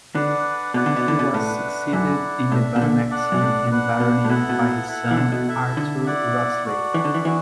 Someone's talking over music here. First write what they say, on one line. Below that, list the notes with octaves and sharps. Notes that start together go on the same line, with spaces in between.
He was succeeded in the baronetcy and barony by his son Arthur Wrottesley.
D3 D4 B4 D5 F#5
B2 E4 B4 D5 F#5
D3
B2
D3
B2
A2 A3 D4 B4 F#5
F#2 E4 A4 D5 F#5
A2 D4 A4 E5
B2
D3
D4 A4 D5 F#5
F#2
A2
D4 B4 F#5
B2
A2
B2 B3 E4 A4 F#5
A2
B2
E4 A4 F#5
E3
D3
B2
E4 A4 E5
D3
E4 D5 F#5
F#4 A4 D5 F#5
E3
D3
E3
E3 B3 D4 F#4